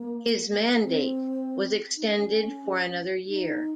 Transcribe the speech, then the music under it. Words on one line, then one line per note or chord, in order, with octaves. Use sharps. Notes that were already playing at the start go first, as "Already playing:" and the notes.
His mandate was extended for another year.
Already playing: A#3
C4
D#4
C#4
D#4